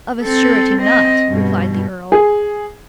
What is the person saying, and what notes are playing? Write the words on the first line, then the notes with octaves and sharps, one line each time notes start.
"Of a surety not," replied the earl.
C4 A4
C4 D#5
G2 B2
G#4